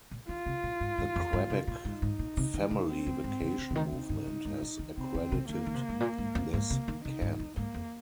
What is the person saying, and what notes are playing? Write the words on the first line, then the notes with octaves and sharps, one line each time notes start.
The Quebec Family Vacation Movement has accredited this camp.
A#2
D#3 F4
C3
A#2
G#2
G#2
F2
G#2
C3
A#2
G#2 D#4
G#2
A#2
C3
D#3
C3
C4
F2
G#2
C3
C3
C3
D#3
C3 D#4
G#2
G#2
G#2
A#2
D#3
C3 C4
D#3
C3
D#3 A#3
D#3
C3
G#2
A#2
G#2
F2
G#2 A#3
C3
D#3
C3 D#4
G#2
F2
G#2 A#3
F2